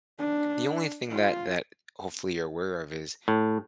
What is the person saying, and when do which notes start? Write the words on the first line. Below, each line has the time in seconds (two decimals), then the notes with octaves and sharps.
the only thing that that, hopefully, you're aware of is
0.19 D4
1.10 F4
3.28 A2